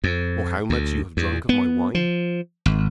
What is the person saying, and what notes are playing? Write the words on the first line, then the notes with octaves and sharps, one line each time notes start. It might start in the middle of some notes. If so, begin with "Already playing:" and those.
"Or how much you have drank of my wine?"
F2
D2
E2
B3
F3
G#1